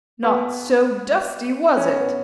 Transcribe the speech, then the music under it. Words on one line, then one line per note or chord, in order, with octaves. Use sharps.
Not so dusty, was it?
B3
C#4
B3